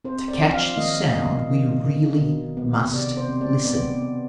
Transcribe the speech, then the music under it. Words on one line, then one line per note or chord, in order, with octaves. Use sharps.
To catch the sound we really must listen.
C4 C5
D5
F3
F5
D#3 D#5
B3
D#3
D#3
B2
B3
C3 D5
C5
C4
D5
B3 D5
B3